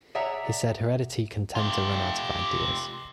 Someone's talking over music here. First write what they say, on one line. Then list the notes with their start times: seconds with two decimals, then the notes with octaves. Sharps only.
He said, Heredity can tend to run out of ideas.
0.15 G#4 C#5 D5 E5 F#5 A#5
1.55 F4 G4